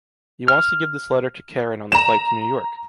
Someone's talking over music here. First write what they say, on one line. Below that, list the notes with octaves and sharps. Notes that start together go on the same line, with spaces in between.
He wants to give this letter to Karen on the flight to New York.
F6
A#5 E7